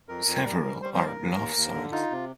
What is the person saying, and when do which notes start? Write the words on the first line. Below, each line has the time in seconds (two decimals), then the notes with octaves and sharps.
Several are love songs.
0.08 F2 A#4
0.27 F2
0.45 G3
0.64 G3
0.82 G3 C5
0.94 C5
1.00 D#2
1.06 A#4
1.19 D#2
1.37 D#2
1.56 D#2
1.74 D3
1.92 D#4 F4
2.11 C3